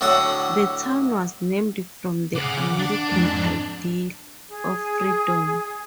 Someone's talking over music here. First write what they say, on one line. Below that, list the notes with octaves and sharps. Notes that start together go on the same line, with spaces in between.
The town was named from the American ideal of freedom.
A2 D3 F#3 C#5 F#5 D#6
C#3 F#5 D6
D4
F2 G#2
G#4